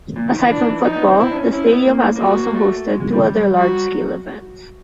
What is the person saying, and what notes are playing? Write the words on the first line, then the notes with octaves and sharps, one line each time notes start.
Aside from football, the stadium has also hosted two other large-scale events.
A#2
D#3
E3
E3 D4
D#3
E3
F3 D#4
B3
C4
C4 E4
D4
C#4
C#4 E4
C4
B3
A#3
A#3
A3 F#4
A#3
A#3
A3
G#3
G#3
G3
G3
F#4
F#3